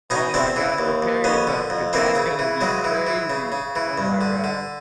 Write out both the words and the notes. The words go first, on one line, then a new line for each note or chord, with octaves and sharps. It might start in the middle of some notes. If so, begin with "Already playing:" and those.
Oh, my gosh. Prepare yourself 'cause that's gonna be crazy. Oh, my gosh.
B2 C#4 D#4
E2 C4 D4
E3
D#2
D#2
F2 B3 C#4
D3
F2
E3 A#3 C4
C#3
E3
C#3 F#3 G#3
E3
E3
C#3
C#3
E3
G2
D3
D3